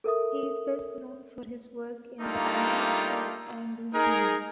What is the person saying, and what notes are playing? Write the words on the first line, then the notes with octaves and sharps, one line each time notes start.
He is best known for his work in the "Amos 'n' Andy" series.
A4 A#4 E5 D#6
G3 A3 A#3 D4 D#4 F4
D#4 G#4 A#4